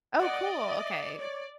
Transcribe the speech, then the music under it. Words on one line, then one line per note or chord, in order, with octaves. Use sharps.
Oh, cool, okay.
D5 D#5 F#5
E5
C#5 D5